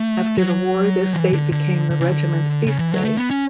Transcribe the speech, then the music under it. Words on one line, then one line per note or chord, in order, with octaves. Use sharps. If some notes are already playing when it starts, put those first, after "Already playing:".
After the war this date became the Regiment's feast day.
Already playing: A3
F#3
E3
D3
D3
D3
C#3
D3
C#3
E3
F#3
A3
B3
C#4